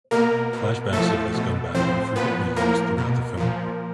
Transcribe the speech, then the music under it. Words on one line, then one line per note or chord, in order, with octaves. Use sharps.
Flashbacks of this gun battle are frequently used throughout the film.
B2 A#3 A#4
B2
A2 F3 A3 A4
B2
A2 F3 C4 C5
A#2 F3 B3 B4
A2 F3 A#3 A#4
B2
A#2 F3